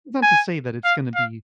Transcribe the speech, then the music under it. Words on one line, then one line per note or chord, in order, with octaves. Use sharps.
Not to say that it's gonna be
G#5
F5
F5